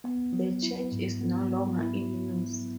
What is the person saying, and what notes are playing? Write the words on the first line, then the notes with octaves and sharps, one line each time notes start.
The church is no longer in use.
B3
F#3
E4
G#2
B3
F#3
E4